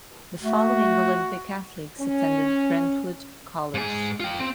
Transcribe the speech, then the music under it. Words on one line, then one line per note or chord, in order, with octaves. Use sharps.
The following Olympic athletes attended Brentwood College.
A3 F#4
C#4
G#2 G#4
F4 G5
C4